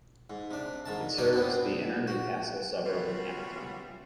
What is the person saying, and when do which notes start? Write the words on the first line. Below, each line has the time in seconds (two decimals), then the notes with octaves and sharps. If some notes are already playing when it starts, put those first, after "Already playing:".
It serves the inner Newcastle suburb of Hamilton.
0.30 G#2
0.51 C3 D4
0.85 G#2 D#3 A5
1.18 D4 D#4 A#4 C#5 D5
1.32 B3 C4 D4
2.07 F#4
2.86 G3 B3 C#4 F4 F#4 E5